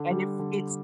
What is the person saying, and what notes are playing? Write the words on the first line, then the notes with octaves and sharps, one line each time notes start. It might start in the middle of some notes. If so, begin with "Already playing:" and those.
and if it's
Already playing: D3
G3
D3